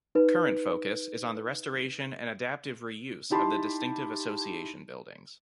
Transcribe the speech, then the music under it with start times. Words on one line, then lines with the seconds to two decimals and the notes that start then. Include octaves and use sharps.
Current focus is on the restoration and adaptive reuse of the distinctive Association buildings.
0.15 D#4 B4
3.30 D#4 E4 G4 A5 B5 C6